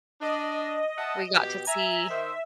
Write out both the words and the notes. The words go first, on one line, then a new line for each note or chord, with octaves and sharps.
we got to see
D4 D#5
E5 F#5 A5
B2 G4
E5 G#5 A#5
D#3 C5